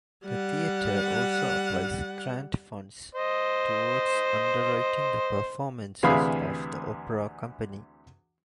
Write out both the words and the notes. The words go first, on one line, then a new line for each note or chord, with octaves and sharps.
The theater also applies grant funds towards underwriting the performances of the opera company.
G3 F#5
C5 D#5
D2 C3 E3 G#4 F5 B5